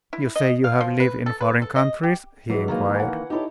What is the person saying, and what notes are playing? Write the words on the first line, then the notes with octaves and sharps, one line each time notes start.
"You say you have lived in foreign countries?" he inquired.
E4
D#5
F5
F3
B4
A4
B4
A4
D#5
G4
E3 F#3 G#3
D#3 E3 A#3
F#5 G#5
D#4 E4 G4 A4 C#5